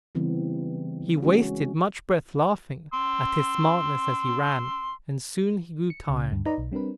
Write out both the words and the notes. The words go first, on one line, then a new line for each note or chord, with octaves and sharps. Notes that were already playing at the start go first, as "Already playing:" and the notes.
He wasted much breath laughing at his smartness as he ran, and soon he grew tired.
C#3 E3 G3 B3 C4
G#3 C#4 F#4
C6 E6
C#7
C#2 C#3
D2 G2
D#4 B4 D5 D#5 A#5
B1
G3 C4 D4 A#4 B4